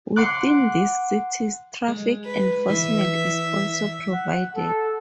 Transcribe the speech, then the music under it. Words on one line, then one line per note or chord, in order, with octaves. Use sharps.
Within these cities, traffic enforcement is also provided.
F#5 C6 D6 F#6
G#3
B4
E3 E5
F#5
A4